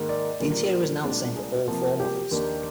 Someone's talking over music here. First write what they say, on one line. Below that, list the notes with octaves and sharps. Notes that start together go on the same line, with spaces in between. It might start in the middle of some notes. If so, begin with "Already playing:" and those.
The interior was now the same for all four models.
Already playing: G#2 D#3 A#3
D5
A#2 G3 A#3 D4
C2 A#2 G#3 D4
G#4
C3 F3 A#3
G4
D#2 D#3 A#3 D4